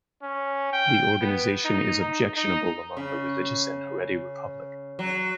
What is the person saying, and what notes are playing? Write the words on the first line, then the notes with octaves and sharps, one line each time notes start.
The organization is objectionable among the religious and Haredi public.
C#4
G5
B3
D#4
D#4
D#4
C#3
F#3